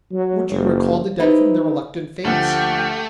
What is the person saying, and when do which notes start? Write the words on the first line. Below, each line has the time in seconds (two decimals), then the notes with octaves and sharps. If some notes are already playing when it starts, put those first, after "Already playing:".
Would you recall the dead from the reluctant fates?
0.12 F#3
0.50 F#1
1.19 D#4 E4 G4 B4 C5 D#5
2.25 D2 F3 A3 G4 F#5